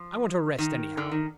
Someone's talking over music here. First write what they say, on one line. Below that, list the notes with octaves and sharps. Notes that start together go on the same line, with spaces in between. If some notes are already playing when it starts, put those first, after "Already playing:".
"I want a rest anyhow...."
Already playing: F3
D#3
D3
D#3